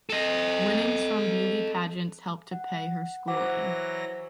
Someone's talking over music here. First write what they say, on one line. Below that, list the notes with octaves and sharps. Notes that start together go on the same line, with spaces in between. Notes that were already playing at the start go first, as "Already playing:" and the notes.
Winnings from beauty pageants helped to pay her schooling.
A4 D#5
F#5
E3 F#3 C5 F#5 D6 A#6